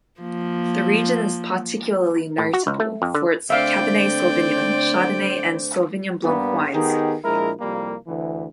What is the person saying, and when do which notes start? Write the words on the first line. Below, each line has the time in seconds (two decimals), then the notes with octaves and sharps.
The region is particularly notable for its Cabernet Sauvignon, Chardonnay and Sauvignon blanc wines.
0.21 F3 A#3
2.38 A2
2.53 F#4
2.67 C#2
2.80 A3
3.02 F2
3.15 D3
3.50 D3 A3 C4 C5 D5 E5 F5 G5
6.24 G2 G3 A#3 B3
6.73 D#3 B3 D#4 G4 G#4
7.23 A#1 G#3 E4 A#4
7.60 C2 F2 G3 A#3
8.06 D2 E3